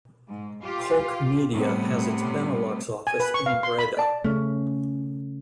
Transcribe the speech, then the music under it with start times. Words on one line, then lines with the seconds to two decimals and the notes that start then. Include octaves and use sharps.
Koch Media has its Benelux office in Breda.
0.28 G#2
0.62 F4 G4
1.52 A2 C3 G3 B3
3.07 G#5
3.20 B4
3.34 C#6
3.46 F5
3.63 C6
3.79 B5
3.97 D5 A5
4.24 C#3 A3 C#4